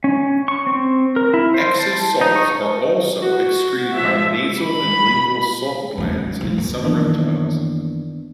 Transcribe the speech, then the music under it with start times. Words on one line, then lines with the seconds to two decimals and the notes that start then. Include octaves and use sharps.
Excess salts are also excreted by nasal and lingual salt glands in some reptiles.
0.04 C#4
0.48 C#6
0.67 C4
1.16 A#4
1.34 E4
1.54 C5
1.79 A5
2.21 D#4
2.36 C#6
3.22 F#4
3.94 F3 E5
4.62 B5
5.98 D#2 D#4
6.13 G3
6.27 C#4
6.41 F3 F4
6.57 D#3 A#3
6.83 F#2 D#3 E3 A#3 B3 D4